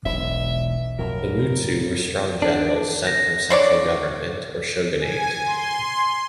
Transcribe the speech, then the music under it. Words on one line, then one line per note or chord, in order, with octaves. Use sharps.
The Mutsu were strong generals sent from central government, or shogunate.
E1 B1 E5
F2 A2 F#3 A#4
D4
A#6
D4 C#5 D5
G#5
C6